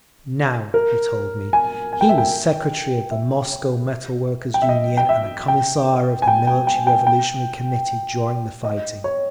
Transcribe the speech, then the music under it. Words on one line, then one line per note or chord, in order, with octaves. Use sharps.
Now, he told me, he was secretary of the Moscow Metal-Workers' Union, and a Commissar of the Military Revolutionary Committee during the fighting....
A#4
G#5
G#5
G5
E5
G5
E5
G5
E5
D#5
G5
E5
G5
G#5
G5
G5
G5
G5
G5
D#5
C#5